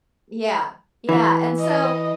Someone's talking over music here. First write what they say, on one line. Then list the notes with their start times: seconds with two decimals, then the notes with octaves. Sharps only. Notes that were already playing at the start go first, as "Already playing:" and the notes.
yeah, yeah, and so
1.09 E3
1.60 D#5